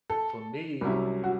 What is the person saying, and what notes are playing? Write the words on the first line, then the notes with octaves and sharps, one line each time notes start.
for me
A4
C2 C3 F#3 C#4 E4
F#4